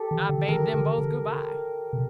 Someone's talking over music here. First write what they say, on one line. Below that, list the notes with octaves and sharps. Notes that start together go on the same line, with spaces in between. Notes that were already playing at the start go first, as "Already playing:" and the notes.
I bade them both good- by.
Already playing: G4 A4
D#3
D3
D#3 A#4
D3
D3
C3